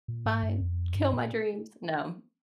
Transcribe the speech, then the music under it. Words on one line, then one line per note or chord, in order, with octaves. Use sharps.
Fine. Kill my dreams, no.
A#2
G#2
G2
F2
G2
A#2